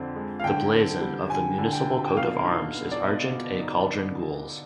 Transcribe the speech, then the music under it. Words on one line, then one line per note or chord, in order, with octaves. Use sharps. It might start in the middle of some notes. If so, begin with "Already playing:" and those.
The blazon of the municipal coat of arms is Argent a Cauldron Gules.
Already playing: F2 D3 C4
G#3
F5
D3 G5
C4
G3
D3 G#5
D3
G5
C4
G5
B2 F5
D#4
B3
D5
B2 D#5
B2
D#4